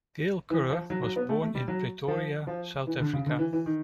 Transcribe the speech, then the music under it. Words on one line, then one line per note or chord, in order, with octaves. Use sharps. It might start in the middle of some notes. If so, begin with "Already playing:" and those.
Gail Currer was born in Pretoria, South Africa.
E3
F3
F#3
F#3
B3
A3
A3
G3
F#3
F3
F3
E3
D3
C#3
D3
E3
E3
D#3